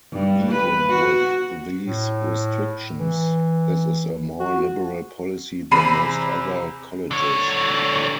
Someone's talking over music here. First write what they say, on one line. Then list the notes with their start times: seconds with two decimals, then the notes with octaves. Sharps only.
Even with these restrictions, this is a more liberal policy than most other colleges.
0.13 G2
0.51 B4
0.90 F#4
1.86 A2
2.99 E3
4.40 F#4
5.71 E2 C3 A#5 B5 C7 D#7
7.11 D3 C#5